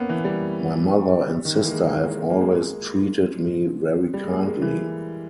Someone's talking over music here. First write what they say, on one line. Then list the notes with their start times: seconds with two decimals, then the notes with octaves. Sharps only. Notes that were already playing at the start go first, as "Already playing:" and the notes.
My mother and sister have always treated me very kindly.
Already playing: A#3 B3 C#4
0.09 E3
0.24 G3
1.45 D#3
1.55 E3
1.65 A#3
1.71 G#3
1.87 A#3
2.03 G#3
2.19 G#3
2.30 A#3
2.41 G#3
4.13 G3
4.23 G#3
4.30 A#3
4.46 G#3
4.62 E3